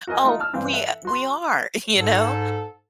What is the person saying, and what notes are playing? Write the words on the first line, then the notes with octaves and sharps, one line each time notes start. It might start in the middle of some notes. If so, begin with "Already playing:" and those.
Oh, we a we are, you know?
F#4 A#4 D#5 G#5
A3 D#4 F4
A5 E6 F6
G2 E3 C4 F5
A4 E5 F#5
F#4 C6
G#2 A4